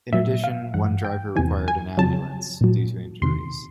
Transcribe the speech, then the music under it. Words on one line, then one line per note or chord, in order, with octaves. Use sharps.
In addition, one driver required an ambulance due to injuries.
A#2 F#3 E5
F5
G2 E3 F#5
G5
E2 C3 E3 G#5
G#5
F2 C#3 F#3 A5
A#2 F#3
E2 C3 D#3 C6